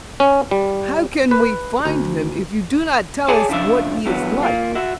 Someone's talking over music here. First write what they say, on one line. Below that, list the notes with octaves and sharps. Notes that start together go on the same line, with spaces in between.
"How can we find him, if you do not tell us what he is like?"
C#4
G3
B4
D2
G#4 C#5 D5 G#5 A5
C#3 F3 D4 F4 E5
E2 G2 F#3 B3
A#3 F4
F#4 E5